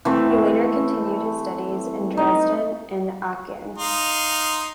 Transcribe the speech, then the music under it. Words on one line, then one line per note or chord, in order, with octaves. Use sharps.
He later continued his studies in Dresden and Aachen.
E3 A3 C4
D#4
D#4 F5 C6